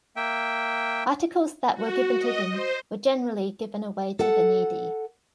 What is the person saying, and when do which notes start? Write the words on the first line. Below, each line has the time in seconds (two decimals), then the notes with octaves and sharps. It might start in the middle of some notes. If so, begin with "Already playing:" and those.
Articles that were given to him were generally given away to the needy.
0.16 A#3 E5 G5
1.73 F#4
2.16 D#5
2.50 C5
4.19 A4 F#5